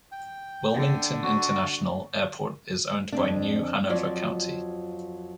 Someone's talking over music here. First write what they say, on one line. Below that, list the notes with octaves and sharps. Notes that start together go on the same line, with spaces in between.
Wilmington International Airport is owned by New Hanover County.
G5
D3
F#4
F2 C4 D4
F2 F3 F#3 D5